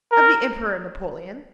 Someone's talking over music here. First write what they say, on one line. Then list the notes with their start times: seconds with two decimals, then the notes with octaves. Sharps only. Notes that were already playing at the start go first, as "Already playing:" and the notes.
Of the Emperor Napoleon?
0.12 A#4